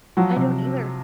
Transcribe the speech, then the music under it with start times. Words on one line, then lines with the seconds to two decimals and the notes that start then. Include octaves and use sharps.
I don't either.
0.17 F3 F#3 F#4
0.36 C3